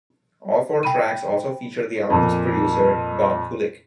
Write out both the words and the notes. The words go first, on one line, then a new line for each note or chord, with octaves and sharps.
All four tracks also feature the album's producer, Bob Kulick.
G5 B5 D#7
F2 A#2